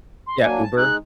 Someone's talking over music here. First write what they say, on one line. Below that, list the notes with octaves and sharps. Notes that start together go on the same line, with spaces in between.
Yeah, Uber,
C6
F#3 A#3 D4 G#5
A5
G#3 D#4 F#6